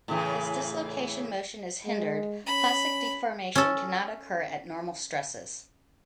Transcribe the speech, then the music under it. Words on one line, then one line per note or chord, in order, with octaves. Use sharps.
Because dislocation motion is hindered, plastic deformation cannot occur at normal stresses.
A2 C#3 E3
G#3
C#4 B5
C#4 A4